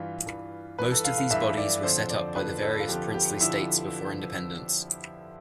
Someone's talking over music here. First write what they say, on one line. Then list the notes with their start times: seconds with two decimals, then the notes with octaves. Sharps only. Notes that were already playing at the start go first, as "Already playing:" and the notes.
Most of these bodies were set up by the various princely states before independence.
Already playing: G2 E3 F4
0.26 G2 E3
0.79 G2 E3 B4
0.92 A4
1.05 F5
1.18 F5
1.31 G2 E3 E5
1.58 D5
1.83 F2 D3 F3 C5
2.10 D5
2.35 F2 D3 F3 B4
2.62 A4
2.80 F4
2.88 F2 D3 F3 G4
3.14 G4
3.41 D3 F3 E4